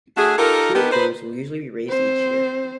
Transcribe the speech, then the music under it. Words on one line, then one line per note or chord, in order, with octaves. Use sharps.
Two broods will usually be raised each year.
A3 D4 F#4 G#4
D#4 F4 G4 A4 A#4
B3 D4 D#4 G4 A#4 B4
D#4 B4 C5
C4 C5